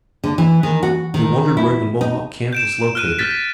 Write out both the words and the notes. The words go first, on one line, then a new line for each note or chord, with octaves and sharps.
They wondered where the Mohawk camp was located.
D3
E3
D#3
F#4
D#3
E4
D#4
G6 D7 E7
F6 F#6 D#7
F6 G6 A6 B6